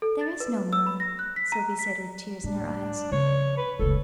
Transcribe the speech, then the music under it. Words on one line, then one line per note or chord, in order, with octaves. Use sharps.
"There is no more!", Sylvie said with tears in her eyes.
A4
A6
B4
E6
B5
A#6
F#6
B6
A#5
B6
A2 D4
C#3 F3 C#5
B4
F1 C#2 A4